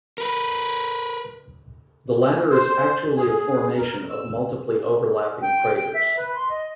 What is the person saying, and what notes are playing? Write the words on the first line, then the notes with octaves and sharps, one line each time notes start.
The latter is actually a formation of multiply overlapping craters.
A#4 B4
C5
G#4
A#4
E6
G5
G5
E5
B4
C6
D#5